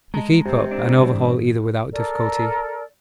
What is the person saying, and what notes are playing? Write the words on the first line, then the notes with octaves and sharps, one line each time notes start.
We keep up and overhaul either without difficulty.
G#3 D#5 A5 A#5
G2 C3 C4
C4 D4
A#2 F#3
G#2 B2 E3
A4 A#4 D5